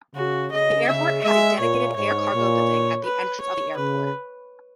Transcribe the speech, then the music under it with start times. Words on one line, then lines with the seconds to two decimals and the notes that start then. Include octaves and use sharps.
The airport has a dedicated air cargo building at the entrance of the airport.
0.15 C#3 F#4
0.51 C#3 D#5
0.88 C#3 E5
1.23 G#3 E5
1.60 A#2 C#5
1.96 G#2 C#5
2.33 A#2
3.04 B4
3.40 C#5
3.77 C#3 B4